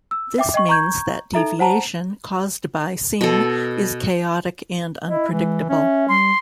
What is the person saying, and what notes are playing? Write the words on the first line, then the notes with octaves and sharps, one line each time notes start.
This means that deviation caused by seam is chaotic and unpredictable.
E6
E5 G5 D6
D#5 G5 C#6
A#5 C#6 G6 G#6
D#4 A4 E5 A#5
C5 F#5 A5 A#5
B2 A4
E4 D#5
E3 G#3
C#4 E5
G3 C6